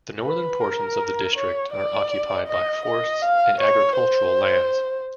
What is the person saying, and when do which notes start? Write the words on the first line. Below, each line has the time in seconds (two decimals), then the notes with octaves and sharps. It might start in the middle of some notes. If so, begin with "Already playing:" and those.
The northern portions of the district are occupied by forests and agricultural lands.
0.23 B4
0.60 A#4
1.36 C#5
1.73 D5
2.47 D#5
2.85 D#5
3.22 F5
3.60 C#5
3.98 C5